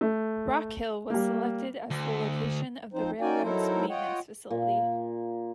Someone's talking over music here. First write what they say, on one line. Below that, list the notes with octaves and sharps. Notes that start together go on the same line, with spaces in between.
Rockhill was selected as the location of the railroad's maintenance facility.
A3
G3 A#3
D2
F3 C4 D#4 C5
C#4 D#4 F#4 D5 G5 G#5
F#3 D#4 E4 A4 A#4 C5
F4 C#5 D#5 F#5 G5
A#2